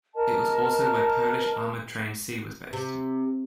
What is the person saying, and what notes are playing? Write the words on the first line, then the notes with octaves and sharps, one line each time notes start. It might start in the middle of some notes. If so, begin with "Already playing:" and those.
It was also where Polish armoured train C was based.
A#4 D#5 A5
C3